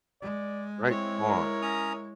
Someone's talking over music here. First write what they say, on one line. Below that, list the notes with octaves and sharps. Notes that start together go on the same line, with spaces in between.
Right on.
G#3 D5
C4 E4 C#5
A#4
C#4 A#5 D#6